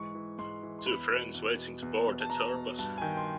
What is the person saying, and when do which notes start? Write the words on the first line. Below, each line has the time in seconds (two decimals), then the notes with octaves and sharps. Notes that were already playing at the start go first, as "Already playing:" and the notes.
Two friends waiting to board the tour bus.
Already playing: G#2 E3 C#6
0.15 E3
0.39 G#2 C6
0.63 E3
0.79 C6
0.86 E2 B5
1.10 B2
1.35 E2
1.58 B2
1.83 E2
2.06 B2
2.21 A5
2.30 E2 A#5
2.54 B2
2.79 G2 A5
2.98 G#5
3.02 D#3 G5
3.17 C6